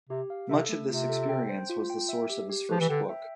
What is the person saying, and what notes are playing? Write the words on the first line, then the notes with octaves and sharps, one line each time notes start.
Much of this experience was the source of his first book.
C3 G4
F5
C3 A4
A3
C3 F4
A4
G5
C5
F4
G5
E5
G4
G4
F3 B4
E3
D3 G5
E5